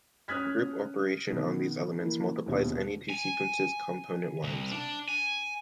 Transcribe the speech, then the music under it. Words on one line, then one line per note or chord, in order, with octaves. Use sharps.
The group operation on these elements multiplies any two sequences componentwise.
C#4 D#6 F6 F#6 G#6 B6
B2 D#3
E3 A#3
A#1 D#2 B2
G#5
C2
D4
G#5